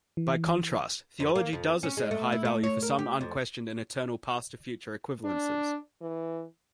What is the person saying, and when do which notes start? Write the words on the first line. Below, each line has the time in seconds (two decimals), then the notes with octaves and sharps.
By contrast, theology does assert high value for some unquestioned and eternal past-to-future equivalences.
0.17 E3
1.20 F2
1.36 A#3
1.53 F2
1.83 C#4
1.97 G#3
2.11 A3
2.32 E4
2.45 A3
2.63 C#5
2.83 A#4
2.99 G4
3.21 F2
5.24 D4
6.01 E3